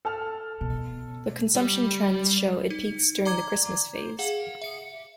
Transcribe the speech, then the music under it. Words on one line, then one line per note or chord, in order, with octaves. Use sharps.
The consumption trends show it peaks during the Christmas phase.
A4 A5 F6
B2
G3
D#4
D5 A#5 D6 G#6
G#4 F5 F#5
E5 C#7